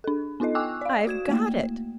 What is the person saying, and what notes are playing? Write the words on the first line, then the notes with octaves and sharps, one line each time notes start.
"I've got it!"
D4 A4
B3 D#4 F4 A4 D#5
G5 G#5 C#6 D6 E6 F#6
D5 F5
F#4 G#6 E7
A3 A#3